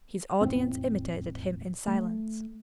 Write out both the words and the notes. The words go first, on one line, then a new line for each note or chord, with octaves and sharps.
His audience imitated him in silence.
E1 F2 A2 C4
A3